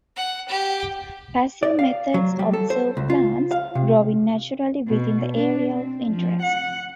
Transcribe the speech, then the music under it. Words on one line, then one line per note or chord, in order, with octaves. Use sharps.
Passive methods observe plants growing naturally within the area of interest.
F#5
G4
D5
F5
F#3
G3
A4
C5
C#2
F4
F5
C3
B2
D4
C4
F3
F#5